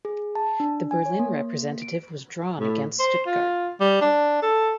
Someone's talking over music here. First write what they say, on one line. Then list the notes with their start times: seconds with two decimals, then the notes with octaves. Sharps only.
The Berlin representative was drawn against Stuttgart.
0.05 G#4
0.35 A5
0.60 D4
0.91 G#5
1.06 C#5
1.19 A#3
1.82 D7
2.60 A2
3.00 C5
3.26 F4
3.81 G3
4.01 D4
4.42 A4